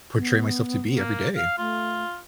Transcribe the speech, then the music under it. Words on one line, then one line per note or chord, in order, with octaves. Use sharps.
portray myself to be every day.
B3
A#3
F5
A3 F4